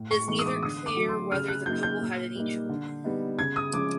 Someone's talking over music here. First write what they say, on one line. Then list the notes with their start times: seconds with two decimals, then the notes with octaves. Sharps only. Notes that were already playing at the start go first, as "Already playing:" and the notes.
It is neither clear whether the couple had any children.
Already playing: A2
0.11 C#6
0.28 E3 G#3 B3 D#4 C#6
0.39 D#6
0.46 D6
0.62 D3 D#6
0.86 D6
0.96 F#3 A3
1.09 C6
1.32 C#3 F6
1.48 F#6
1.66 F#3 A#3 D#4 G6
1.83 G6
2.01 A#2
2.35 G3 A#3 D#4
2.69 D3
3.04 G3 B3 D#4
3.38 C#3 G#6
3.56 D#6
3.73 F3 G#3 C#4 D6